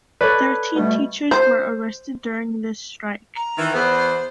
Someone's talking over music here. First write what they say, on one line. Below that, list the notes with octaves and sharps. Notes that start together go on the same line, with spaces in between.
Thirteen teachers were arrested during this strike.
A4 B4 C#5 D5
B2 G3 A3
C5
A#5
D#3 E3
E2 B3 C5